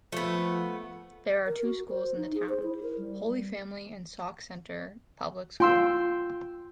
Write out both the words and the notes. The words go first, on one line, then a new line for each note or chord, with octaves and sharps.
There are two schools in the town: Holy Family and Sauk Centre Public School.
F3 A3 B3
A#4
F#4
C5
D#4
G#4
C5
E4
A#4
G3
F4 G5 C6 E6